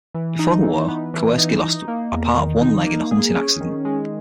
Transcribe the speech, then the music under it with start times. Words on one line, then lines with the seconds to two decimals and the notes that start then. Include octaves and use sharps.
Before the war Kowerski lost a part of one leg in a hunting accident.
0.14 E3
0.39 D#4
0.63 E3
0.88 B3
1.14 E3
1.38 D#4
1.62 D#4
1.88 A#3
2.12 E2
2.37 D#3
2.61 D#4
2.86 A#3
3.11 G#4
3.35 C#4
3.60 D#3
3.85 G#3